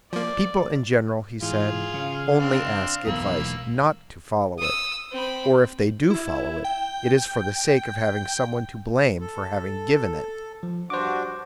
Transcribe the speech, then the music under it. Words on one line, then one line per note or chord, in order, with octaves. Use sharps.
"People, in general," he said, "only ask advice not to follow it; or if they do follow it, it is for the sake of having someone to blame for having given it."
F3 A#3 D5
G#2 E3 F4 G#4
C#3 F5
C4 D4
E1 B1 A#3 B5 E6
D#6 E6
C4 B5
E4
G5
A4
F3
G2 D4 F#4 C5 D6